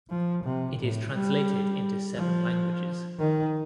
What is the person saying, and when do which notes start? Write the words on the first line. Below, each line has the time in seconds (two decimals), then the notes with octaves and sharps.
It is translated into seven languages.
0.11 F3
0.45 C3
0.80 A2
1.14 G3
2.17 F3
3.19 D#3